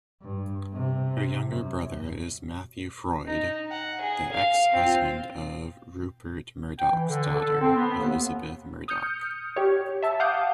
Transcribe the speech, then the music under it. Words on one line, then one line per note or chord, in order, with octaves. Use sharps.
Her younger brother is Matthew Freud, the ex-husband of Rupert Murdoch's daughter Elisabeth Murdoch.
G2
C3
F#2
D#4
F#5
G#4
F5
C4 F4
G5
E3
D3
A4
C4
B3
D#2
D#6 F6 G6 C#7
G4 C#5
E5 A5
F5 F#5 A5 D6 D#6 G6